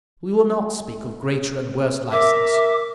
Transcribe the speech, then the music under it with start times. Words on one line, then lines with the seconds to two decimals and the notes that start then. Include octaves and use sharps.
We will not speak of greater and worse license.
2.12 A#4 E5 D6